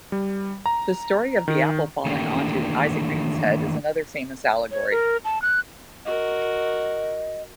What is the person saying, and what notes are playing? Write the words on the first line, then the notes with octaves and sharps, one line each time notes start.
The story of the apple falling onto Isaac Newton's head is another famous allegory.
G3
A#5
D#3
D#3 E3 A3 A#3 D4 G4
C#5
A#4
A5
F#6
F#4 A#4 D#5